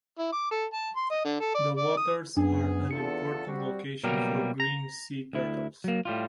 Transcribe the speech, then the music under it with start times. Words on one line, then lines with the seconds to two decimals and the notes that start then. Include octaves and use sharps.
The waters are an important location for Green sea turtles.
0.18 E4
0.32 D6
0.51 A4
0.73 A5
0.96 C6
1.11 D#5
1.25 D3
1.40 A4
1.54 D5
1.77 D5
1.97 D#6
2.37 F#2 B3 D4 G#4
2.91 E2 F4 A4 C#7
3.47 G3 C4 F#4
4.04 B2 F#3 G3 A#3 A#4
4.60 A#5
5.33 D2 E4
5.84 F#3 A#3
6.05 A2 G3 F4